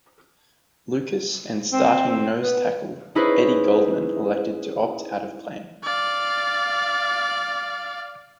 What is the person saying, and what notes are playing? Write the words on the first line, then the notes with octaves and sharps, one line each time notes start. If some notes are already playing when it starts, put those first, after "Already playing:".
Lucas and starting nose tackle Eddie Goldman elected to opt out of playing.
C4
C4
B3
C#4 D#4 E4 G#4 B4 C5
D5 F5